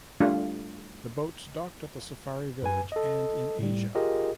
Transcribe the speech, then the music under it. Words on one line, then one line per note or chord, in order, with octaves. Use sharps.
The boats docked at the Safari Village and in Asia.
G3 A3 D4 F4
F#2 B4 G#5
A4 D#5
A2 G3
F4 G4 G#4 A#4 D#5